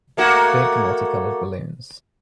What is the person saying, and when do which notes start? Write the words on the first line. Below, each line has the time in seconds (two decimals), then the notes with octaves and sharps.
Big multicolored balloons.
0.17 A3 A#3 F#4